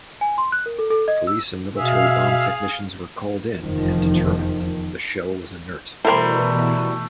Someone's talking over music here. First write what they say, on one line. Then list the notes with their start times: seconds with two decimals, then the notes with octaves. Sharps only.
Police and military bomb technicians were called in and determined the shell was inert.
0.21 G#5
0.38 C6
0.52 F#6
0.66 A#4
0.79 A4
0.90 A4
1.08 D#5
1.27 E6
1.77 B2 G#4 E5 F5
3.60 F1 E2 D#3 F3
6.05 B2 E3 G3 A3 E4 A#4 C5 C6